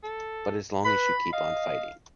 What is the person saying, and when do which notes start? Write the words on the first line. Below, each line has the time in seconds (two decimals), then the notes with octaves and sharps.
But as long as you keep on fighting.
0.03 A4
0.85 B4 B5
1.33 D#5 F5